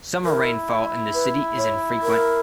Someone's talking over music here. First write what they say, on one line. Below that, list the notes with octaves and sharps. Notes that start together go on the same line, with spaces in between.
Summer rainfall in the city is infrequent.
E4 A#4
B4
C#5
A#4